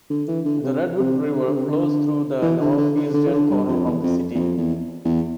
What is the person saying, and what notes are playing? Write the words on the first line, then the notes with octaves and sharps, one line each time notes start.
The Redwood River flows through the northeastern corner of the city.
D3
E3
D3
C3
C3
D3
D3
C3
D3
E3
D3
D3
D3
D3
E3
D3
G2
F2
E2
F2
E2
F2
E2
E2